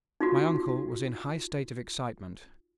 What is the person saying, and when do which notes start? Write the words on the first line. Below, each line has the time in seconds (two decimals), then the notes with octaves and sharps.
My uncle was in high state of excitement.
0.21 D#4 F4 F#4